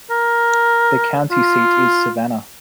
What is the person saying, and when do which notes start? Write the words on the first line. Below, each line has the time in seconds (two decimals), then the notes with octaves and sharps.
The county seat is Savannah.
0.11 A#4
1.31 F4